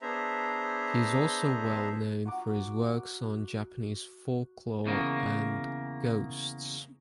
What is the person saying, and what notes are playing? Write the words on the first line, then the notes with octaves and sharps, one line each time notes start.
He is also well known for his works on Japanese folklore and ghosts.
B3 D4 G#4 C5 E5 A#5
F#4 A#5 D6
E2 C#3 A#3